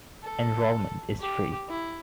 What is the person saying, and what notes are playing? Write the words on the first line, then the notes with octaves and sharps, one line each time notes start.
Enrollment is free.
A4
G4
E4